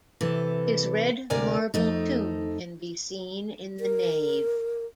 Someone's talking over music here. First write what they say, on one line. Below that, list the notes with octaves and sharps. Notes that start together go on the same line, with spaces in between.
His red marble tomb can be seen in the nave.
C3 E3 A4
D2 C3 A#4 D5 G#5
F2 A3 D#4
A#4